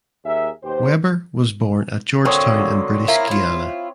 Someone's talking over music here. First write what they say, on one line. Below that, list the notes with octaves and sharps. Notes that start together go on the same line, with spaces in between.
Weber was born at Georgetown in British Guiana.
D#2 G#4 A#4 E5
D#2 B2 G4 C5
D3 F#3 A#3 C4 C#5 D#6
E4 F4 A#4
E4 F4